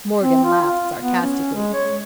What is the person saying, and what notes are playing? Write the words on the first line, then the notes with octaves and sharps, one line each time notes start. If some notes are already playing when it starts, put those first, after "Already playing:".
Morgan laughed sarcastically.
C4
F4
F4
B3
C#4
G#3
C#5